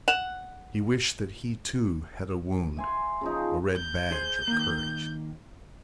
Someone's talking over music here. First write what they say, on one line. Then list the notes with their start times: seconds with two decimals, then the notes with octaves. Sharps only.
He wished that he, too, had a wound, a red badge of courage.
0.08 F#5 E7 F7
2.77 E5 G#5 C6
3.21 C#3 F3 D#4
3.76 G6
4.12 G#4 C5
4.48 D#3 A#3